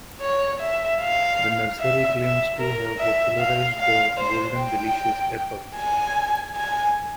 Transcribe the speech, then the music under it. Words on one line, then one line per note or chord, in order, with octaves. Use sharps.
The nursery claims to have popularized the Golden Delicious apple.
C#5
E5
F5
E5
E5
A#4
E5
F5
F5
C5
G5
G#5
G#5